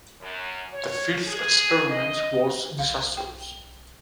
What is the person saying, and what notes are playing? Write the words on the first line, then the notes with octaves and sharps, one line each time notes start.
This first experiment was disastrous.
F#2
C#5
G#4
D#5
B1 F5
G5